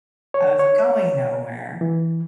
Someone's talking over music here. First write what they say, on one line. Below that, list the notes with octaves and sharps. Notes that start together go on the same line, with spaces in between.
I was going nowhere,
C#5
C#5
E3